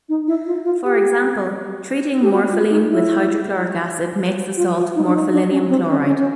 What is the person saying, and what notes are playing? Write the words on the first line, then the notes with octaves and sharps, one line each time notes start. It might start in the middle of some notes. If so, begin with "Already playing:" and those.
For example, treating morpholine with hydrochloric acid makes the salt morpholinium chloride.
D#4
E4
F4
F4
G4
G4
F#4
F4
D#4
E4
F4
F4
D#4
D4
D#4
D4
C#4
C4
C#4
C#4
C#4